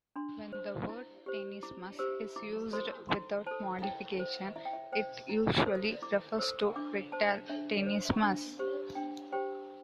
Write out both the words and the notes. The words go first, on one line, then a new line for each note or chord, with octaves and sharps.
When the word tenesmus is used without modification, it usually refers to rectal tenesmus.
D4 C6
C5
E4
G4 C5
E4 D6
G4 C5 E6
E4 D6
A4 C5 C6
E4 C6
A4 C5 A5
E4 G5
C5
E4 E5
G5
E5
C5 G5
E4
A4 C5
E4 D6
A4 C5 E6
D4 D6
C5 A5
D4 E5
C5
D4
G4 C5
D4 G5
G4 C5 G5